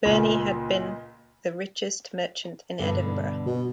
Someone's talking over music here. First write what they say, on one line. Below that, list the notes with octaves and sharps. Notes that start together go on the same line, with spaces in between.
Birnie had been the richest merchant in Edinburgh.
C#2 A#2 C#3
G2 B2 D3
B2